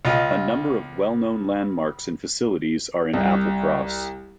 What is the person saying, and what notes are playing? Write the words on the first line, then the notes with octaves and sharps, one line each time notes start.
A number of well known landmarks and facilities are in Applecross.
C#2 F4 D#5
C2